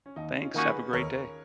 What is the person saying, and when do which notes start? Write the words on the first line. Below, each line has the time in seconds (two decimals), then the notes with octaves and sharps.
Thanks, have a great day.
0.06 C#4
0.16 D#2 D#4
0.41 C#4 F4
0.54 D#3 A#3 C#4 F#4
0.67 G#4 B4
0.93 D#2 A#4 C#5